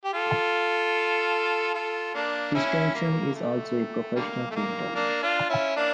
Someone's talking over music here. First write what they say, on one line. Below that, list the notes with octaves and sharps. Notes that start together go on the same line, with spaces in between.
Christensen is also a professional painter.
G4
F4 A4
F4 A4
A#3 D4
C#4 E4
A#3
A3
D3 G3 A#3
A3
A#3
A#3 D4
D4 F4
C#4 E4
A#3 D4